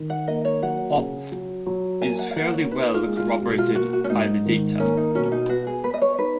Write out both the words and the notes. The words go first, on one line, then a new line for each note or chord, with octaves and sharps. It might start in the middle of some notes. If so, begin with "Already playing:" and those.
Opp is fairly well corroborated by the data.
Already playing: D#3
F#5
A#3 D#5
C#5
F#3 F#5
C#3
F#3
F#3
A#3 G#5
F#5
F5
A#3 F#5
C#5
D#4 B4
F4
G#3
F4
B2
F4
A#3 F#4
F#4
C#4
G#2 D#4
D#3
A#3 C#4
D#4
B2 C#4
C#4
D#4
B3 F#4
G#4
B3 B4
D#5
C#5
D#4 B4